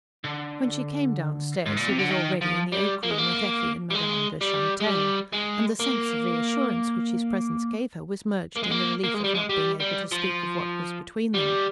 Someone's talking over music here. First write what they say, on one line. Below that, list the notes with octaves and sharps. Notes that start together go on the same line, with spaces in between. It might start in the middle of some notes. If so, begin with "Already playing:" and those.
When she came downstairs he was already in the oak-room with Effie and Madame de Chantelle, and the sense of reassurance which his presence gave her was merged in the relief of not being able to speak of what was between them.
D3
G#2
A#2
C3
D3
D#3
F3
G3
A#3
G#3
A#3
G3
G#3
G3
G#3
G3
G#3
A#3
A#3
G#3
A#3
A#3
G#3
G3
G#3
G3
G3
F3
G3